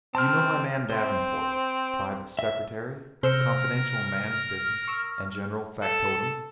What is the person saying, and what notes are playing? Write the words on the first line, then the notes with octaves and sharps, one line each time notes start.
You know my man Davenport--private secretary, confidential man of business, and general factotum.
C4 A5 F6
C4 C5
E5
C3 A#4 C5 E6 F6 C#7
C#6 E6
A4